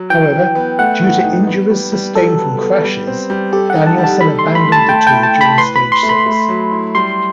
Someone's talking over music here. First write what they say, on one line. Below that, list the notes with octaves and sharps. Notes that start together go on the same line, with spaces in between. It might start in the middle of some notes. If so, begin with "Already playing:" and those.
However, due to injuries sustained from crashes, Danielson abandoned the Tour during stage six.
Already playing: F#3
E3 G5
E3
B3
A3 F#5
A2
D#4
B3
G3
G3
F#3 A4
B3
B3
G3
C4
G3
G4 A4
F#5
D#4
A5
G3
A5
A4 B5
C6
A3
B5
A3
A5
A3 G5
G5
E4
A5
A2
B5
B4 C6
B5
B4
C6
A3
B5
A3
F#3
E4
G3 C6